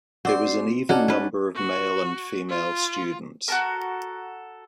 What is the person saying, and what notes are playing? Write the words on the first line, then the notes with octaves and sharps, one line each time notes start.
There was an even number of male and female students.
C4 F#4 D5 C7
C#4 D#4 F#4 D5 A5
C#4 B4
F#4
F4
F#4 A4 A#4